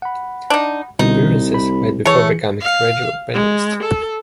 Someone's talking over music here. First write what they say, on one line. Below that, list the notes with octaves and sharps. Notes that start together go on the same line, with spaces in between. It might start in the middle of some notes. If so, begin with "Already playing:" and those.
Appearances made before becoming a regular panellist.
F#5 B5
D4 D#4
C2 B2 D3 G3 D#4
B5
E3 A3 G#4 C#5 C#7
F5
G#3
A4